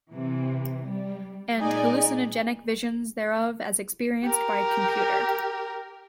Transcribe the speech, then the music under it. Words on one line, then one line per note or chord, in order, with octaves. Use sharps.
And hallucinogenic visions thereof as experienced by a computer.
C3 E3
G3
A#2 G#3 D#4 D5 G#5
G4 A#4